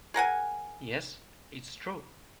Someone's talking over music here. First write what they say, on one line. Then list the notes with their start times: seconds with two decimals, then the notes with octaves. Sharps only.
Yes, it’s true.
0.14 G#4 A#4 F#5 G#5